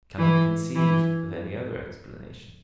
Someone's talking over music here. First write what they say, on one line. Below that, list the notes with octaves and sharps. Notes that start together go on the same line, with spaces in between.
I cannot conceive of any other explanation.
E3
E3